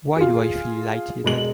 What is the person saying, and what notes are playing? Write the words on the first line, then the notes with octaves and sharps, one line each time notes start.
Why do I feel light-headed?
F4 G#4
E1 G#3 F#7